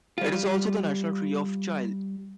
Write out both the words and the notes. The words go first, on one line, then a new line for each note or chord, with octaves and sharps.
It is also the national tree of Chile.
G3 F4